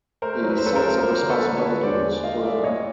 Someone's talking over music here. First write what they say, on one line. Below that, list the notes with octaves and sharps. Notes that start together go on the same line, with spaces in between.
A sense of responsibility would spoil her.
A3 A#4 C5
F#3
B4
C5
F#3 A4 B4
A#4 C5
F#3
A#3 A#4 C5
D3 C5
A4 B4
D3
B4 C#5
D3
E2 C5 D5
G#3
G#3 D#5 F5
G#3 D5 E5
A#2 C#5 D#5